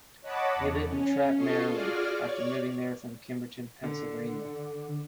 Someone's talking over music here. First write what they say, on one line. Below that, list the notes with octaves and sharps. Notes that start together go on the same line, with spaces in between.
He lived in Trappe, Maryland, after moving there from Kimberton, Pennsylvania.
C#5 D#5 F#5 A5 B5 D6
E2
C#4
F4 A4 D#5 C#6 C7
F4 F#4 G#4 D5 D6 F6
C#5 D5 C#6
D3